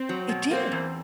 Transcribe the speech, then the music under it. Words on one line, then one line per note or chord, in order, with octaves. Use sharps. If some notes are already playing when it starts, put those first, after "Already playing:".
It did!
Already playing: C4
F#3
B2
A#3 C4
E2